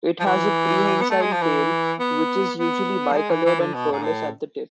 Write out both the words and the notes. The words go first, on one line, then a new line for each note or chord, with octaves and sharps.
It has a prehensile tail which is usually bicoloured and furless at the tip.
F3
E3
B3
A3
G#3
F3
E3
B3
B3
F3
G#3
E3
E3
D3
B2
G#2
A2